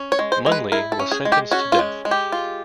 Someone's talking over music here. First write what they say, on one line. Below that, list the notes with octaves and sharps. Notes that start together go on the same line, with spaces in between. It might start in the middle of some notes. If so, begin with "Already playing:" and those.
Munley was sentenced to death.
Already playing: C#4
C#5
G#3
C5
G#3
B4
E4 A#4
A4
C#4
G#4
G#3
G4
C#4 F#4
F4
G#3
G#3
G4
F4